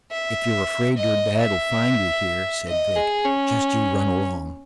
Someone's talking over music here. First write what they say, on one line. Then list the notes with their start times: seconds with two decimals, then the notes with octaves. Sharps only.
"If you're afraid your Dad'll find you here," said Vic, "just you run along."
0.11 E5
0.97 D#5
1.40 E5
2.68 D#5
2.96 G#4
3.24 C#4